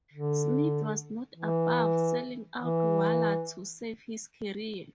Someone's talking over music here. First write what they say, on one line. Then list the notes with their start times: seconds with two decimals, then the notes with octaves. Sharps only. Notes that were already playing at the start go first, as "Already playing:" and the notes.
Smith was not above selling out Waller to save his career.
0.14 D3
1.37 E3
2.62 E3